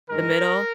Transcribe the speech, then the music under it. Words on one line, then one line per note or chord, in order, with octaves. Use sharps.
the middle?
G2 D#3 G#3 A#4